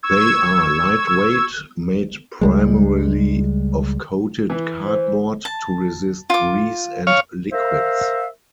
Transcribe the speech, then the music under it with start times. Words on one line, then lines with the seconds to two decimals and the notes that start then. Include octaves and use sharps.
They are lightweight, made primarily of coated cardboard to resist grease and liquids.
0.03 C#6 E6 G#6
2.41 C#2 G3 G#3
4.50 E3 B4
4.86 C5
5.45 A5
6.30 F4 D6
7.07 C#5 F5
7.52 A#4 C5 E5 F5